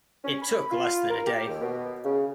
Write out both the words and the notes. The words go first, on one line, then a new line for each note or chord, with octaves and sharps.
It took less than a day.
C#4
B5
F4
A#4
G4
D#2
B2
C#3